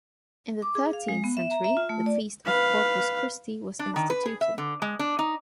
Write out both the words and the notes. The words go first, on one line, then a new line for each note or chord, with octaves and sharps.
In the thirteenth century, the Feast of Corpus Christi was instituted.
D6
G#4
F5
G#3
B3
E5
A#5
E5
F4
A3
D5
B4 F5
D4
D#3
B4
G#4
E5
D3
G#3
D4
D#4